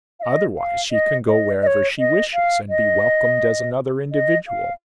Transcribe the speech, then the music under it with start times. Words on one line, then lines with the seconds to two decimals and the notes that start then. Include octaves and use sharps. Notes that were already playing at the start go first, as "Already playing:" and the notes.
Otherwise she can go wherever she wishes and be welcomed as another individual.
0.20 F5
0.23 D#5
0.56 F5
0.92 D#5
1.27 D#5
1.62 D#5
1.67 C#5
1.99 D#5
2.34 F5
2.70 D#5
4.12 D#5
4.48 F5